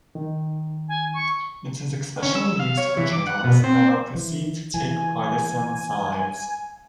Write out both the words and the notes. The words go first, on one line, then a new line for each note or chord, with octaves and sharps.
It is especially used for journalists that are perceived to take partisan sides.
D#3
G#5
C#6
C#4
E6
F5
C#5
E3
D6
F#5
B2
C4
E3
E3 G#5